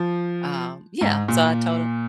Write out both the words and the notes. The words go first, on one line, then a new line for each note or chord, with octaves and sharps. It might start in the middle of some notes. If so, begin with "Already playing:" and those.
um, yeah. So I told him
Already playing: F3
G#2
A#2